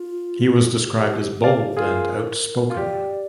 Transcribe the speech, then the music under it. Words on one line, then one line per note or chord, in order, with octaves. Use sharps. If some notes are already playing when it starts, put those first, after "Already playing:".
He was described as bold and outspoken.
Already playing: F4
A#4
G4
D5 F5
F4 G#4 A#4
F4
G4 D5